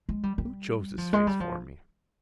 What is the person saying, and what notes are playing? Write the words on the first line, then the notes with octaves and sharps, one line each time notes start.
Who chose this face for me?
G#3
G3
G3
F3
G#3
G3
F3